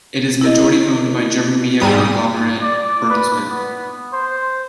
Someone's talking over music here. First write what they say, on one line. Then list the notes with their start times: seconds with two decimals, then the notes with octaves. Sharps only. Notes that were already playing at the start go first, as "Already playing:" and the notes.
It is majority-owned by German media conglomerate Bertelsmann.
0.41 E4 A#4 D#5
1.80 G#2 G3 D#6
2.62 D5
3.10 B4
3.50 B3
4.13 C5